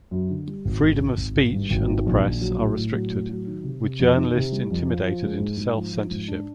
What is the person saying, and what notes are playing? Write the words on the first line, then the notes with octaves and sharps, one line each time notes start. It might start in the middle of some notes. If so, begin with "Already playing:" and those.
Freedom of speech and the press are restricted, with journalists intimidated into self-censorship.
F#2
D3
G3
G#1
G#1
G#1
G#1
G#1
G2
G#1
D#3
A#1
A#1
F#3
A2
A2
F#3
A2
F#3
D#3
C3
C3
F2
D#3
C3
G3
F2
F3
F3
G#3
G#2
G#2
F3
F3
G#2
D4